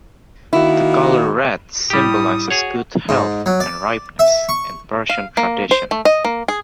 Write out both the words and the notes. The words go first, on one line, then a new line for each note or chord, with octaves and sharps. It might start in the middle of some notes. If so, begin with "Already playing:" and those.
The colour red symbolizes good health and ripeness in Persian tradition.
D#3 A#3 E4 F#4
A2 G3 G4 D#6
F#4 G#4 C#5
G#2
F#3
D5
E5
C#6
F5
A#3
C5
A3
D#5
A#3
G#4